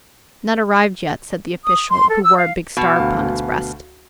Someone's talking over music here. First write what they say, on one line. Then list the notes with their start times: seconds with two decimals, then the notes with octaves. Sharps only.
"Not arrived yet," said the official, who wore a big star upon his breast.
1.65 D#6
1.89 C6
2.09 A4
2.23 E6
2.38 F5
2.77 B2
2.96 D2 F5